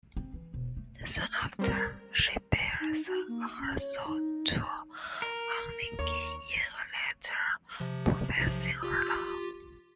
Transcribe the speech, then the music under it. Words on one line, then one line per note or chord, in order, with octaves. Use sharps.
Soon after, she bares her soul to Onegin in a letter professing her love.
C4
E3
E1
A3
G3 C4 A#4
D#4
F#4
A#3
C#4
C#5
D#4
A#4
D#2 C#5
C3 F3
B1 C3 F3
F4 G4